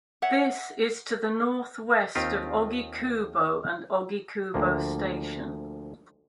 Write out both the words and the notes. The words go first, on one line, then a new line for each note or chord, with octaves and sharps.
This is to the northwest of Ogikubo and Ogikubo Station.
C#5 E5 F#5
D#2 D#3 C4 F4 G4
D2 F3 A#3